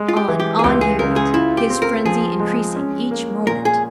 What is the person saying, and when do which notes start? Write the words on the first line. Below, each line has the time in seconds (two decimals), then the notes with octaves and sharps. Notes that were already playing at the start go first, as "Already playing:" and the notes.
On--on he went, his frenzy increasing each moment.
Already playing: G#3
0.08 F4
0.17 G4
0.28 E3
0.40 G4
0.59 G#4
0.64 C#2 G4
0.81 G#4
0.99 C#3 A#4
1.16 G#4
1.34 E4 F4
1.57 G4
1.70 C4
1.82 A#4
2.05 F3 G#4
2.40 G#3
2.76 C#4
3.11 A#3
3.47 A#2 A#4
3.65 G#4